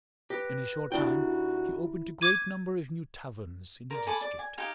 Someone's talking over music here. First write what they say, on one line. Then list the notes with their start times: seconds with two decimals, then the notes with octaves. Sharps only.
In a short time he opened a great number of new taverns in the district.
0.30 G4 B4 A#6
0.92 D#2 D4 E4 F#4 G5
2.21 D6 G#6 D#7
3.90 A#4 D5
4.06 A4 G#5 B5 D6
4.21 D5
4.39 G#5
4.57 D#4 G4 F5 G#5